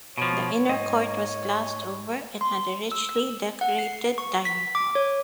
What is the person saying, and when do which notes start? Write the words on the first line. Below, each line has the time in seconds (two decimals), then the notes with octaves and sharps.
The inner court was glassed over and had a richly decorated dining hall.
0.18 B2 F3 C#5
0.69 G#2 D#5
2.41 C6
2.92 E6
3.61 F#5
3.79 C7
4.18 C#6
4.45 B6
4.75 D6
4.95 C#5